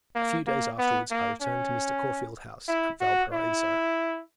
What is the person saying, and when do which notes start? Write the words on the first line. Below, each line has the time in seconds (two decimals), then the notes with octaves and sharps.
A few days afterwards I returned to Mr. Corfield's house at Valparaiso.
0.15 A#3
0.47 A#3
0.78 B3
1.11 A#3
1.42 C#4
2.68 E4
3.01 F#4
3.32 E4